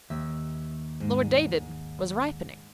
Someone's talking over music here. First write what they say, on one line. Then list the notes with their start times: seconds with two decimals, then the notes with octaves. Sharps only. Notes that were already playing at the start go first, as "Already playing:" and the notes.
Lord David was ripening.
0.10 D#2 E5
1.00 G#2